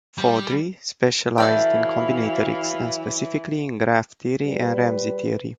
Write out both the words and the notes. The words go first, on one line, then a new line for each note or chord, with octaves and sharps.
Faudree specialized in combinatorics, and specifically in graph theory and Ramsey theory.
G3
E3 F#3 E4 A4 D5 F5 G5
A#2 G3 B4